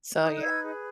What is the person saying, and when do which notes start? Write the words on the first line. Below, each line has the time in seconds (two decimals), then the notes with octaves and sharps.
so yeah.
0.22 D#4 D#6 F#6
0.37 F#6
0.42 B4 E6 G#6
0.62 G#4